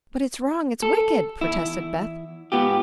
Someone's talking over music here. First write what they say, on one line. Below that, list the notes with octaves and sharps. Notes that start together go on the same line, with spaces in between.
"But it's wrong--it's wicked!" protested Beth.
A4
E2 E4
G#2 B3 F4 G4